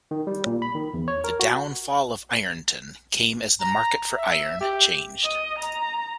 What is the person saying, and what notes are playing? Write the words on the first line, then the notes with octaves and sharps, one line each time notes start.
The downfall of Ironton came as the market for iron changed.
D#3
G3
A#2
B5
D#3
E2
C#5
A#4
F#4
A#5
E5
G4
D#5
A#5